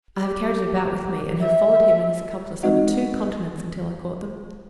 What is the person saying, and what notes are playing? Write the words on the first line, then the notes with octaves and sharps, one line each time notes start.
I have carried it about with me, and have followed him and his accomplice over two continents until I caught them.
G4
E5
G#3 C4 D#4 F#4 D#5 F#5